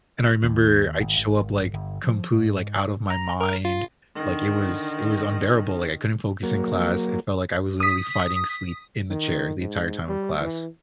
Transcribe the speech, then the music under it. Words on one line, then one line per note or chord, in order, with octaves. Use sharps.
and I remember, I'd show up, like, completely, like, out of my mind, like, it was it was unbearable, like, I couldn't focus in class, it felt like I was literally fighting sleep in the chair the entire time of class.
D#2
G#1
G#1
G1
F3
G#2
A#5
A#4
F4
D3 D#3
F#3 A#3
D#6 B6
D#3
G#2
G3
E3